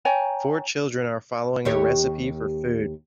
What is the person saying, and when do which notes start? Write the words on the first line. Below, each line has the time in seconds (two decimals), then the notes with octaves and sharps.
Four children are following a recipe for food.
0.05 C#5 G5 G#5 A#5
1.65 D#2 G4 C#5